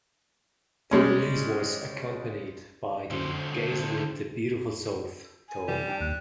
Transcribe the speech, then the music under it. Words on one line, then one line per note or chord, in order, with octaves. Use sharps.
The release was accompanied by the "Gaze With The Beautiful South" tour.
G3 G#3 C#4
D3 C5
G#5
C3 E3 G3
D4 G5
D#2 F#6